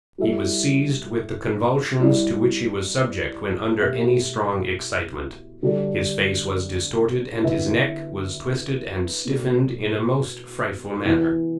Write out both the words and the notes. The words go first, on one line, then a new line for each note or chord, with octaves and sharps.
He was seized with the convulsions to which he was subject when under any strong excitement, his face was distorted, and his neck was twisted and stiffened in a most frightful manner.
G3 E4 A4 E5
G3 E4 G4 D5
B2 A3 G4 E5
D3 G3 D4 A4
D3 B3 E4 B4 E5
B2 A3 D4
E3 B3 E4